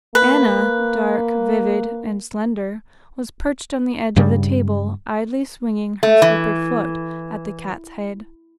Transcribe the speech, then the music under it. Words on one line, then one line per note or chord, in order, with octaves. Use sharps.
Anna, dark, vivid, and slender, was perched on the edge of the table, idly swinging her slippered foot at the cat's head.
A#3 B4
G2 C#3 G3
A3
E3